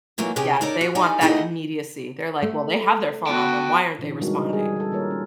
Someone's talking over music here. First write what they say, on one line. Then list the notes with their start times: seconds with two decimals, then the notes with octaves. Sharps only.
Yeah, they want that immediacy, they're, like, "Well, they have their phone on them, why aren't they responding?"
0.18 E3 F#3 G3 A3 A#3 F4
0.36 C3 C#4 G4 G#4 C#5 G5
0.61 D#4 A4 A#4 C#5 D5
0.81 F#4
0.95 D#4 G4 A4 D5 G#5
1.21 A3 D#4 E4 G#4 D#5 F#5
2.42 A3
3.27 B3 F#4 G5 A5
3.98 A#2 D3 E3 C#4 D4
4.22 G3 G#3 C4 D#4 F#4 A#4
4.50 G3 G#3 F4 G#4
4.76 G3 A4
4.91 D#3 A#3 F4 A#4 C#5
5.11 C#4